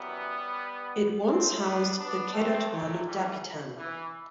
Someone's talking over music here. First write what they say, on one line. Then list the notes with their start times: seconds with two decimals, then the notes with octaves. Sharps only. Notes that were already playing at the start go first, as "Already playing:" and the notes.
It once housed the Kedatuan of Dapitan.
Already playing: F#2 E3 G3 B3
1.25 F#2 D3 A3 C4
1.61 B3 D4
1.97 B3 D4
2.33 A3 C4
2.69 C2 C3 E3 F#3 A3
3.05 E3 G3
3.77 E3